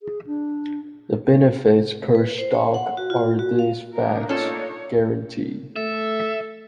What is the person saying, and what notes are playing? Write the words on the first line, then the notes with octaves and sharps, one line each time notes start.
The benefits per stock are this fact’s guarantee.
G#4
D4
B4
C5
C#5
F#5
F#4
F4
F#4
F5
A#3 D4 D#4 A#4
C#4 F4 A4 C#5 A5
A3 A4 E5